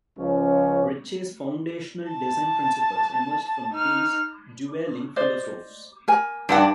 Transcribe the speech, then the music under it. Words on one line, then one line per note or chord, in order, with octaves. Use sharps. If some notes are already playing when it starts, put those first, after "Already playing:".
Ritchey's foundational design principles emerged from these dueling philosophes.
C#2 F3 C#4
A5
D#4 F6
C5 D5 D#5
A#4 G#5
G2 D4 F#5